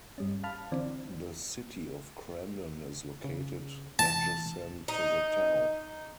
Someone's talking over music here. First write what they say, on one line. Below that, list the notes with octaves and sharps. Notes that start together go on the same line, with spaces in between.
The City of Crandon is located adjacent to the town.
G2 G3 C#4
F5 A5 B5 F6
D3 E3 C4 D5
C#3
E3 A5
D#4